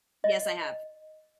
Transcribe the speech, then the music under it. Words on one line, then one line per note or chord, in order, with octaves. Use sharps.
Yes, I have.
D#5